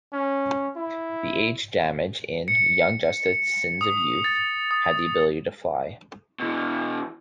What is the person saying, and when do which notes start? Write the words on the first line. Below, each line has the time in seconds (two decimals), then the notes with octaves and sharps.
The aged Damage in "Young Justice: Sins of Youth" had the ability to fly.
0.13 C#4
0.76 E4
2.48 C#7
3.81 D#6
4.24 A6
4.71 D#6
6.40 B2 E3